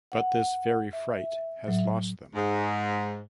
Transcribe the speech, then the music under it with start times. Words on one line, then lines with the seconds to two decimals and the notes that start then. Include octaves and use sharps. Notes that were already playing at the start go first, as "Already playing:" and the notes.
But this very fright has lost them.
0.12 F#5
0.93 E5
1.67 A2 F#3
2.35 G#2